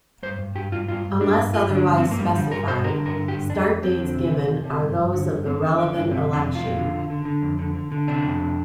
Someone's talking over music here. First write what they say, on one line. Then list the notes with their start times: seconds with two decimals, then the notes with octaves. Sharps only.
Unless otherwise specified, start dates given are those of the relevant election.
0.23 G2 C5
0.39 G2
0.55 G2 G4
0.72 G2 F4
0.88 G2 F4
1.05 G2
1.21 G2 D4
1.38 G2
1.53 G2 F4
1.70 D3
1.75 D4
1.87 G2
1.97 C4
2.02 G2
2.11 A#3
2.19 G2 G3
2.35 D3 G3
2.51 G2 A#4
2.67 G2 C5
2.84 D3 A#4
3.00 G2
3.06 A#4
3.17 D3
3.28 G4
3.33 G2
3.50 F2 D4
3.66 F2
3.83 F2 C4
4.00 D3
4.15 C3
4.32 C3
4.48 C3
4.64 C3
4.81 G2
4.97 G2
5.13 D3
5.30 G2
5.46 D3 C4
5.62 D3 C4
5.78 D3 D4
5.95 G2 D4
6.11 C3 C4
6.28 F2 D4
6.44 C3
6.55 F4
6.61 F2
6.76 D3
6.93 D3
7.10 D3
7.25 D3
7.42 F2
7.59 D3
7.74 D3
7.92 D3
8.07 C3 D4
8.24 F2
8.40 C3